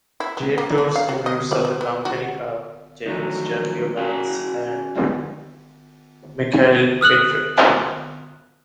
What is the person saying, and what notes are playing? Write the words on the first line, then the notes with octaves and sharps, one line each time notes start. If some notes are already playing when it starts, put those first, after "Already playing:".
Directors emeritus of the company are: James W. Burns and Michael Pitfield.
E4
B3
A#3
D4
F5
F#4
D#5
D5
F3
B3
F#4
D3 D#3 F3 F#3 A3 D#4
C#4 F#4 G#4 A#4 G5
D#6 F6 F#6 F#7